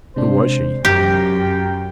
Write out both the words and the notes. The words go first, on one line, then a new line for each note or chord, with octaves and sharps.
"Who was she?"
C3 G#3 D4 C5
F#2 G4 G5 A#5 F6 A#6